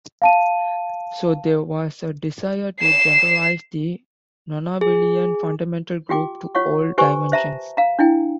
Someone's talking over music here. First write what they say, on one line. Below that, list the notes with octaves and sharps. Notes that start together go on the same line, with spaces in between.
So there was a desire to generalise the nonabelian fundamental group to all dimensions.
F5 A5 D#7
C7 E7
G#4
F4 G4 G5 D6
F4 C#5 F#5 C#6
G4 B4 C5 G#5 C#6
C5 E5 A5 A#5
F5 A#5
D4 E4 G5